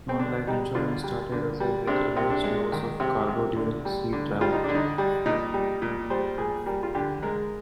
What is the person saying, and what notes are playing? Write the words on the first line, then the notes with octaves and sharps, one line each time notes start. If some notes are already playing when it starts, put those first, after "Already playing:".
Non-life insurance started as a hedge against loss of cargo during sea travel.
C4
D3 D4
G3 D#4
D3 F4
G3
D3
G3
C3 D4
C3
D4
G#3
D#3
C3
C3
D3
G3
D3
G3 F4
D#4
D3 D4
D#4
G3
A#2 D#4
G3
A#2
G3 C5
A#2 G#4
G3 A#4
F4
D3 G4
G#3 A#4